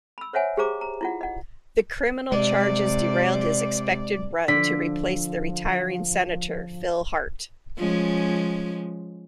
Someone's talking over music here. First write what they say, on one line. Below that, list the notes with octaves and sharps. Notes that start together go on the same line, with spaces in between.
The criminal charges derailed his expected run to replace the retiring senator, Phil Hart.
B5 E6
C5 C#5 E5 F#5 G#5
G4 G#4 C5 F5 A#5 D6
A#5
E4 F4 F#5
D#5 F#5
C3 G#3 D4 D5
D3 F3 B6
F3 G#3 C#4